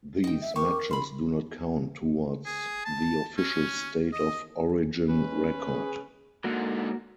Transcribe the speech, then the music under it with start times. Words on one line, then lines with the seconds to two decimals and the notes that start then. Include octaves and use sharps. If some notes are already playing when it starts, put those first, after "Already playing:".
These matches do not count towards the official state of origin record.
0.24 D#4 D#5 G5
0.41 E5
0.56 G4 A#4 C#6 D6
0.91 B5 C6
2.46 G#4
2.85 A5
3.38 C#4
4.13 D#5
5.09 G#3 C#4 B4
5.70 G#4
6.44 G#2 D3 A#3 F#4 A#4